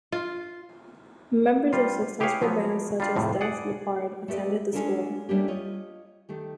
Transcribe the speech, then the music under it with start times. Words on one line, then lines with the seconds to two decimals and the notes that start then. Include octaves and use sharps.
Members of successful bands such as Def Leppard attended the school.
0.12 F4
1.73 G3 F4
2.20 E4 G4 G#4 B4 C#5 F5
2.42 F3 F#3 B3
3.00 G3 D4 F4
3.16 F2 A2 C3
3.41 G#4 D5 F#5
4.28 A3 C4 G4 B4 D5 D#5
4.73 G#3 C#4 D4 F4 A4 A#4
5.29 G3 A3 A#3 C#4 D4 G4
5.48 F4 C#5 D#5
6.29 D#3 A3 G4